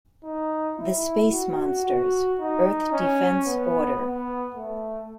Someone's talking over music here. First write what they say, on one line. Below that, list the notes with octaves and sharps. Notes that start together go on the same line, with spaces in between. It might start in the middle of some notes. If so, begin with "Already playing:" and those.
The Space Monsters - Earth Defense Order.
D#4
E4
F#4
F#4
D#4
C#4
B3
B3
A3